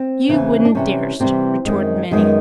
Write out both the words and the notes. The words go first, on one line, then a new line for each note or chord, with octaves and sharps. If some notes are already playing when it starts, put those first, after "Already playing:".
"You wouldn't darst," retorted Minnie.
Already playing: C4
E2 C#3 E3
D4
C3 E3 G3 C#4
C3 E3 G3 C4
F#2 D#3 G#3
F#2 D#3 G#3 B3